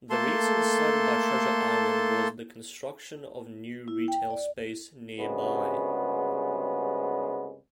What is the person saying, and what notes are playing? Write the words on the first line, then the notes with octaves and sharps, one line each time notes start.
The reason cited by Treasure Island was the construction of new retail space nearby.
A3 A#3 A4 A5 C6
E4
G5
D5
C2 G2 C#3 G#3 B3 F#4